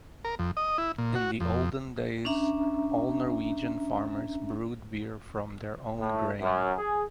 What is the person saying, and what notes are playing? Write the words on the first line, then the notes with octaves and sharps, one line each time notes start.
In the olden days all Norwegian farmers brewed beer from their own grain.
A#4
F2
D#5
E4
A#2
F#4
F2
C#4 D4 E5 A#5
A2
F#2
G#4